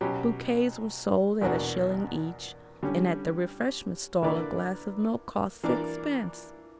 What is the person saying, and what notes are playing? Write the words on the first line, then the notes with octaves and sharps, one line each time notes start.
Bouquets were sold at a shilling each, and at the refreshment stall a glass of milk cost sixpence.
B2 F#3 C#4 G4
E2 B2 A#3 D4 F#4
D3 G3 C#4
D3 A#3 E4 B4 D5
E3 A#3 D4 A#4 D5